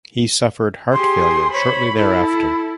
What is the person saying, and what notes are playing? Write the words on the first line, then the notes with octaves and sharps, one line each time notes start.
He suffered heart failure shortly thereafter.
G4 G#4 C6
C5 C#5 B5
E4 A4 B5